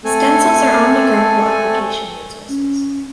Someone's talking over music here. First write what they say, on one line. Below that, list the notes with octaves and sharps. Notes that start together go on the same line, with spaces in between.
Stencils are OmniGraffle application resources.
A3 C4 A4 G#5
C#4